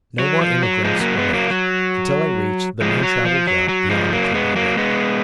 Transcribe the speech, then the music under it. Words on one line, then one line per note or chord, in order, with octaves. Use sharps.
No more immigrants were met until I reached the main-traveled route beyond the Columbia River.
F#3
F3
F#3
F3 G#3
F#3 A#3
G#3 B3
F#3 A#3
F#3
F3 G#3
F#3
F3
F#3
F#3
F3 G#3
F#3 A#3
G#3 B3
F#3 A#3
G#3 B3